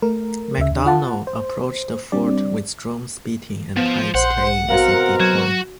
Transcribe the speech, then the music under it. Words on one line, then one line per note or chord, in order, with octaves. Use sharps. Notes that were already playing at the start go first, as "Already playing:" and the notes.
McDonald, approached the fort with drums beating and pipes playing as a decoy.
A3 A#4
D2 C#3 E5
D#2 D4
F4 F#5 A5
C5
G3 C4 D4 D5
F3 B3
A#1 C5 F#5
B2 C4 F#4 A#4 F5
F#3 F#4 G#6